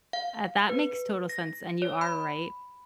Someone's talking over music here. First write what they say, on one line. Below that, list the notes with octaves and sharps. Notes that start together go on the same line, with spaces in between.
Ah, that makes total sense. And you are right
F5
B4
A#6
C#5
B5